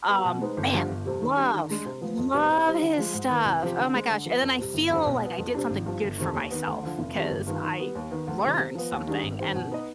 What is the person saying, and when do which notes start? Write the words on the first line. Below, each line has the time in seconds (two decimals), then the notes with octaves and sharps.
um, man, love, love his stuff, oh my gosh, and then I feel like I did something good for myself, 'cause I learned something, and
0.09 G3 B3
0.25 B2
0.41 G#3 C4 D#4 B4
0.57 G1
0.73 G2 D3 F3
0.89 G1
1.05 F2 C3 G3
1.21 D#3
1.37 G3 D4
1.53 D#3
1.69 G#3 D4
1.85 C3
2.01 F3 B3
2.17 F2
2.34 C3 G3 B3
2.49 C3
2.65 G3 C4 D#4
2.82 D3
2.98 F3 G#3
3.14 G#2
3.29 D#3 B3
3.45 C2
3.62 C3 F3 C4 G4
3.78 D3
3.94 G#3 C4
4.10 D3
4.26 F3 B3
4.42 F2
4.58 C3 G3
4.74 G1
4.90 F2 D3 G3 C4
5.06 B1
5.22 B2 B3
5.38 F2
5.55 C3 G3 D4
5.70 G#1
5.86 G2 F3
6.03 G1
6.18 F2 C3 D#3
6.35 D#2
6.51 D#3 B3
6.67 D2
6.83 D3 F3
6.99 F1
7.15 F2 D#3 G3 B3
7.31 G1
7.47 G2 D#3 B3 F4
7.63 D#3
7.79 G3 B3
7.95 D#2
8.11 D#3 B3
8.27 D2
8.43 C3 D#3 G3
8.59 C3
8.75 F3 B3
8.91 D#2
9.07 D#3 G3 D4 G#4
9.23 G#1
9.39 G2 D#3 G3 C4
9.55 B2
9.71 B3 D#4 B4 D#5